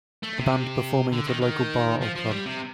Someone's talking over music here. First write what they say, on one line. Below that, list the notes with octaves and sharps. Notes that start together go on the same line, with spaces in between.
A band performing at a local bar or club.
A3
C3
D3
D#3
D#3
F3
F3
G3
C3